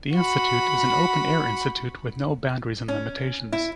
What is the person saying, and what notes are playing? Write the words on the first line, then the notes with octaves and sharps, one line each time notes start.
The institute is an open-air institute with no boundaries and limitations.
F#4 B5
C#4
E4